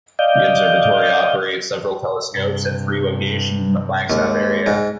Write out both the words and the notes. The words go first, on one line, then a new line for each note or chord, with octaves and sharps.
The observatory operates several telescopes at three locations in the Flagstaff area.
D5 D#5 F5 G6
G2 C3
D#2 G#3
G#2